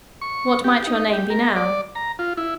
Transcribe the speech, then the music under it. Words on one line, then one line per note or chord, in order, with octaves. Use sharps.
"What might your name be, now?"
C#6
G4
D#4
G4
A#4
D5
A#5
F4
E4